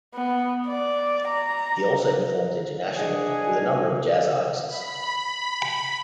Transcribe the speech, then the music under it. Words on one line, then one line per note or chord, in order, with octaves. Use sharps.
He also performs internationally with a number of Jazz artists.
B3
D5
A#5
D4 G#4 D#5 F#5 G#5
B5